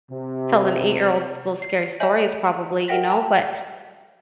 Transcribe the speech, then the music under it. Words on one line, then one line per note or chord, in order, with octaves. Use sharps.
tell an eight-year-old those scary stories probably, you know, but,
C3
C7
C#5 D#5 E5 G#5 G6 F#7
A#4 E5 F#5 G5 A#6 B6
G5 A5 A#5